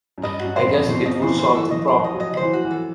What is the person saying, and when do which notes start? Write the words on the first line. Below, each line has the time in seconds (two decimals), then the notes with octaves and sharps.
I guess it would solve our problem.
0.18 F#2
0.23 G2 D#5
0.40 F#2 F#4
0.56 C5
0.67 F2
0.73 D#5
0.89 B2 C5
1.05 F3 D#5
1.22 E3 C5
1.39 E3 C5
1.55 E3 A4
1.71 D#5
1.76 F3
1.88 C5
1.98 F3
2.04 D#5
2.14 F#3
2.20 F3 D#5
2.37 C5
2.42 E3
2.53 F#4
2.65 E3
2.71 A4